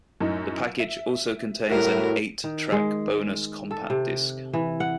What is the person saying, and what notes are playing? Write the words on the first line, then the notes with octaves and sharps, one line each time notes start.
The package also contains an eight track bonus compact disc.
F#2 A2 D#4
E5
A2 G3 E4 F#4 A#4
D#3
G#3
A4
C3
E3
F#5